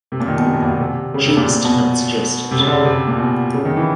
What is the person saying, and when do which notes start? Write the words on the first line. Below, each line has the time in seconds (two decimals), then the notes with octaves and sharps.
Jeeves did not suggest it.
0.12 C3
0.20 A#2
0.28 D#3
0.37 B2
0.45 C3
0.54 B2
0.63 A#2
0.70 B2
0.80 C3
1.14 C#3
1.25 C3
1.37 A#2
1.48 A#2
1.65 B2
2.51 C3
2.59 C#3
2.67 D3
2.76 C#3
2.85 C3
3.08 A#2
3.19 B2
3.54 C#3
3.65 D#3
3.77 E3